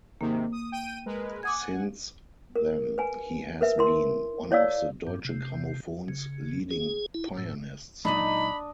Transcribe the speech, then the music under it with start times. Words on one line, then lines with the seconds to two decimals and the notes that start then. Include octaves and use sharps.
Since then he has been one of Deutsche Grammophon's leading pianists.
0.21 G#2 C3 D#3 A#3
0.52 D#6
0.72 G5 D#7
1.06 G#3 A#4 B4
1.43 F#5 G#5 D6 D#6 G#6
2.55 A#4
2.98 B4 G#5
3.61 A#4 B4 E5
3.78 E4 A#4 C6
4.51 E4 C#5 D5 F5 E6
5.07 G2
5.25 C3
6.08 C#3
6.71 G#4
7.15 E4
7.37 A2
8.05 A#2 F#3 G#3 D4 D#4 D#5 B5